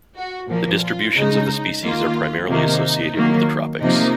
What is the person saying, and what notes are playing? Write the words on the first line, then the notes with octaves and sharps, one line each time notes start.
The distributions of the species are primarily associated with the tropics.
F#4
A#2 F3 A#3
F4
C#3 G#3 D#4
D#3 A#3 F4
C3 D#3 A#3 D#4
D#3 F#3 A#3
C3 F3 A#3 D#4